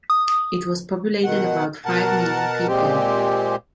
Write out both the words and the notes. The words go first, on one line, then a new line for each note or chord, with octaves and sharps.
It was populated about five million people.
D#6
B2 D#3 F#5
B2 A#4 F#5 A5
A#2 G#3 C4 G4